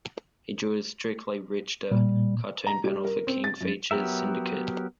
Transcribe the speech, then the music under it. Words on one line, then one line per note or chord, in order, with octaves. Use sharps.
He drew his "Strictly Richter" cartoon panel for King Features Syndicate.
A#2 G3
A#5
G3
A#4
C4
A6
F#2
F#3 B3 G4 A#4 E5